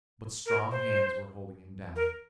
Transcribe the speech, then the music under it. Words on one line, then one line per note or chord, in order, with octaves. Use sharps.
But strong hands were holding him down.
A#4
C5
A#4